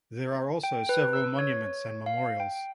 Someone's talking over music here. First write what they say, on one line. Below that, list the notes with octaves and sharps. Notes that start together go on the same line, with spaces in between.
There are also several monuments and memorials.
G5
B4
E6
C#5
F5
G5